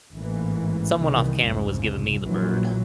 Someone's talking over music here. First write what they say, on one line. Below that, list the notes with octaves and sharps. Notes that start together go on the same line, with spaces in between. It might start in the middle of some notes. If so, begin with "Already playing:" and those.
someone off camera was giving me the bird,
A1 G#2 E3 A#3
C2 D#3 E3
C2 F2 G#2 C#3
A#1 A#2 E3 F#3